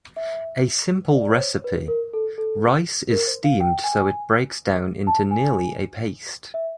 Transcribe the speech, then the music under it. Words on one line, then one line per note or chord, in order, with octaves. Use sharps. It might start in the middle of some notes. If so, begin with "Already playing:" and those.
A simple recipe: Rice is steamed so it breaks down into nearly a paste.
E5
D5
C#5
C5
B4
A#4
A4
A4
A#4
C5
F5
G5
G#5
A5
G#5
E5